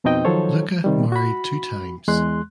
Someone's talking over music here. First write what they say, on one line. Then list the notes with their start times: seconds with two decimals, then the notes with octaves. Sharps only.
Luka married two times.
0.04 F2 B2 C4 D#4 D#5 G5
0.25 D#3 F3 F#3 A4 C5 C#5
0.84 C3 D#3 G3
1.12 F#4 B5
2.08 E2 G#3 C6 F#6